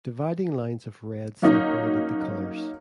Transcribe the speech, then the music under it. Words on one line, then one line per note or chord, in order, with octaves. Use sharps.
Dividing lines of red separated the colors.
F#3 A#3 C#4 D#4